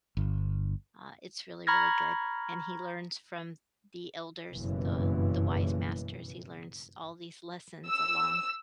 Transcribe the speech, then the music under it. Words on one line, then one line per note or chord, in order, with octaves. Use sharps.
uh, it's really, really good, and he learns from th the elders, the the wise masters, he learns all these lessons along
G1
A#5 B5 C#6 F6 G#6 A#6
F#1 G2 B2 E3
E6